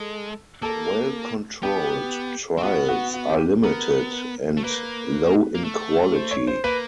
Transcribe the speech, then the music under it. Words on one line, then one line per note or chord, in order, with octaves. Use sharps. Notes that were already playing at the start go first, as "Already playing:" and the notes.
Well-controlled trials are limited and low in quality.
Already playing: G#3 A4
A#3 A4
B3 G4
C4
B3 F#4
F#4
F#4
G4
B3 A#4
A3
A#3 B4
A#3
A3
C5
C#5
C5
A#3 B4